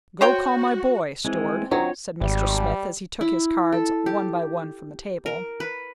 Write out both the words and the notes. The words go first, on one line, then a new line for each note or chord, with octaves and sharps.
"Go call my boy, steward," said Mr. Smith, as he took his cards one by one from the table.
F#4 C5 C#5 G5
E3 G#3 C4 E4
D#3 F#3 D4 F4 C5 C#5
G#1 G3
E4
A4
G4
A#4
B4